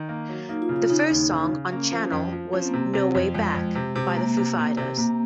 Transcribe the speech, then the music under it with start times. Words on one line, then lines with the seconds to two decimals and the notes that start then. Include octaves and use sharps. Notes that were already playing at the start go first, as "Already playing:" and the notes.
The first song on "Channel" was "No Way Back" by The Foo Fighters.
Already playing: D#3
0.09 A#3
0.29 F#3
0.49 A#3 D#4
0.62 F4
0.69 C#3
0.76 F4
0.89 C#3 D#4
1.10 D#2
1.30 C#3
1.51 C#3
1.71 A#3 C#4
1.92 F3
2.12 F2
2.32 F3
2.53 F3 C#4
2.61 C4
2.68 A#3
2.73 C3 C4
2.93 C3
3.15 F2
3.34 F2 G#3
3.55 F2
3.75 C3
3.95 C3
4.07 G#3
4.16 C3 A#3
4.37 C3
4.57 C3
4.77 C3
4.97 C3 A#3